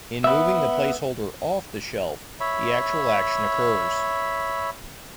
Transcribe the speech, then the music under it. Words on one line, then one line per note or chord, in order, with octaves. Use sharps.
In moving the placeholder "off" the shelf, the actual action occurs.
B3 E5
C#5 E5 B5